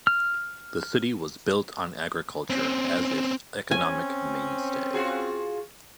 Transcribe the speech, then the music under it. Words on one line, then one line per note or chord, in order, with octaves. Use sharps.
The city was built on agriculture as its economic mainstay.
F6
C4 C#4
C4 C#4 G#5
F4 F#4 G#4